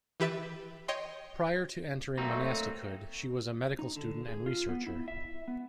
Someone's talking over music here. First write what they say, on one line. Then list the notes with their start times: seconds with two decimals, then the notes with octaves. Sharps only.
Prior to entering monastichood, she was a medical student and researcher.
0.20 E3 G4 B4 E5 A6 D7
0.88 C#5 D#5 G5 C6
2.18 F#3 A3 A#3 C4 D#4
3.79 D#4
3.96 D3
4.28 G#4
4.46 F4
4.69 B3
4.87 E4
5.08 E5
5.48 B3